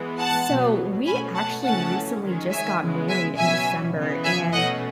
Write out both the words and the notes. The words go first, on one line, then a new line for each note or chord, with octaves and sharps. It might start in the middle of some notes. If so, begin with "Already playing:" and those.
So, we actually recently just got married in December, and
Already playing: E3 G#3 B3
F#5 A5
B2 F#3 B3
B2 A3 C#4 G#5 B5
F#5 A5
C#3 E3 A3 C#4 F#5 A5
D#3 G#3 C#4
E5 G#5
C#3 G#3 B3
E5 G#5
B2 F#3 C#4 E5 G#5
C#3 E3 B3
E5 G#5
B2 A3 C#4 D#5 F#5